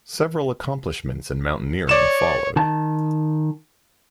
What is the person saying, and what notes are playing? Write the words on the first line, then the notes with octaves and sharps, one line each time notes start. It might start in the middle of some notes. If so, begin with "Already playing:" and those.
Several accomplishments in mountaineering followed.
C#5 D5 E7
D#3 A5